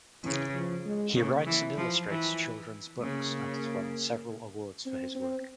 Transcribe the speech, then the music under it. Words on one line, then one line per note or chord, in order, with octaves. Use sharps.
He writes and illustrates children’s books and has won several awards for his work.
C#3 E3
F3
G#3
C#3 A#3
E3
F3
E3
C#3 A#3
C4
C4